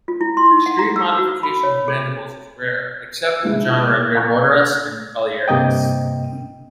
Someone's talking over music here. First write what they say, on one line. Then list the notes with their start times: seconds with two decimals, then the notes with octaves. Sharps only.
Extreme modification of mandibles is rare, except in the genera "Myrmoteras" and "Polyergus".
0.08 F4
0.21 E4
0.37 C6
0.51 D#4
0.66 F#5
0.79 A#5
0.96 E6
1.18 F#4
1.43 B5
1.63 C#5
1.88 G#4
3.43 F3 G#3 E4
4.15 F5 G#5 A#5 C#6 F#6 G6
5.48 G2 C3 A#3 D#5 G5